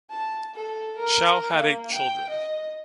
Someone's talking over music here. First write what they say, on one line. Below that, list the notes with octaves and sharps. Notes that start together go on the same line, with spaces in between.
Xiao had eight children.
A5
A4
A#4
A#3
G5
D#5